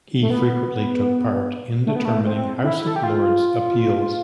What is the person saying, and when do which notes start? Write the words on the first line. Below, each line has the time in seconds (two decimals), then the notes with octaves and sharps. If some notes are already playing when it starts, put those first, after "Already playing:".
He frequently took part in determining House of Lords appeals.
0.22 A3
0.30 B3
1.86 A3
1.96 B3
2.05 A3
2.26 C4
2.64 E4
2.87 A4
2.96 G4
3.03 F4